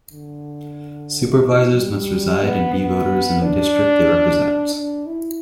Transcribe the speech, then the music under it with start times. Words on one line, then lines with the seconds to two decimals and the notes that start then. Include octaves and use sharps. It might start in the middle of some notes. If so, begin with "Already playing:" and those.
Supervisors must reside and be voters in the district they represent.
0.12 D3
1.44 E3
1.77 G3
2.42 B3
2.76 B3
3.42 D4
4.74 D4
5.06 E4